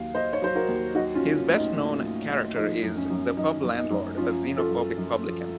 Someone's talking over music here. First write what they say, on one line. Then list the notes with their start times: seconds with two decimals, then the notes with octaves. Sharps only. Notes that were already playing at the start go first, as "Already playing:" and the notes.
His best-known character is "The Pub Landlord", a xenophobic publican.
Already playing: D#2 F#3 F5
0.15 D#2 C5 D#5
0.33 C#5
0.42 F#3 C5
0.55 F#4 A#4
0.68 D#2
0.95 F#3 D#4 F#4
1.15 C#4 F4
1.23 F#3
1.35 C#4
1.49 A2
1.56 D#4
1.76 A2
2.03 A2
2.30 A2
2.56 F3 D#4
2.83 F#2
2.97 C#4
3.10 F#2
3.37 F#2 D#4
3.63 F#2
3.77 D#4
3.90 F#2
4.17 F3 C#4 F4
4.44 F3
4.58 F4 A4
4.71 F#2
4.98 F#2
5.25 F3